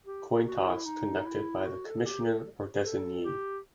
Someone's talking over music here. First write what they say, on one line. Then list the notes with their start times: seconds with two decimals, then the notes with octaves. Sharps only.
Coin toss conducted by the Commissioner or designee.
0.06 G4
0.45 F#4
0.66 E4
0.86 D#4
1.19 D#4
1.25 E4
1.65 F#4
1.86 A4
2.05 G4
2.24 A4
2.84 A4
3.24 G4